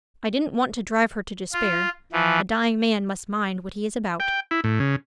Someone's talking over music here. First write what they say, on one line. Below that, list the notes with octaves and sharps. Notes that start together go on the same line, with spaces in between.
I didn't want to drive her to despair: a dying man must mind what he is about.
F4
E3 F3
G5
E4
A2
C#3